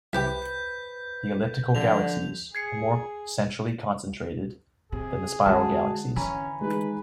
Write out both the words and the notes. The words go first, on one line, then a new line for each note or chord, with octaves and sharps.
The elliptical galaxies are more centrally concentrated than the spiral galaxies.
C2 E4 G4 B4 C5 G6 B6
D3 F3 F7
G#4 G#6 C7 C#7
C3 G#4
D3 G#3 F#4 F#5 A5
D3 E3 C#4 G#5 A#5 B5
G#3 D#4 G#4 B4